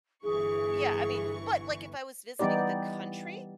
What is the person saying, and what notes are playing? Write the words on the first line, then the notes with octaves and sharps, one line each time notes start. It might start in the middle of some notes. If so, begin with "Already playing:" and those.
Yeah, I mean but, like, if I was visiting the country,
G1 E3 G#4 C#6
E3 G3 B3 D#4 G4 D5